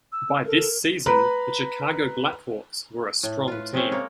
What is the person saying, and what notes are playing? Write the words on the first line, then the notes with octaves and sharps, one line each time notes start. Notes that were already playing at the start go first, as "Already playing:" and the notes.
By this season, the Chicago Black Hawks were a strong team.
E6
A4 A#4
B4 A#5 B5
A2
F4 B4
C3 G#3 C4 C#4
G#3 A#3 C#5 D5